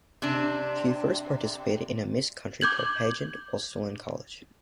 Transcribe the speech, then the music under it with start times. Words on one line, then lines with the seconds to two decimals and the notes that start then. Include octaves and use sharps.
She first participated in a Miss Country Club pageant while still in college.
0.22 C3 D4
2.61 D6 G6 G#6 F#7